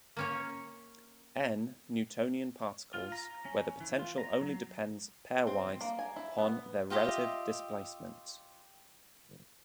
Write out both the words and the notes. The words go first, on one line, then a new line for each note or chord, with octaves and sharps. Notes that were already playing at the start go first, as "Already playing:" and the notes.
"N" Newtonian particles where the potential only depends pairwise upon the relative displacement.
A#3 C#4 C#5
F4
A#5
C#4
E3
F4
A#5
F#3
C4
A#3
G#5
E4
B3
F4 G4 D#5 E5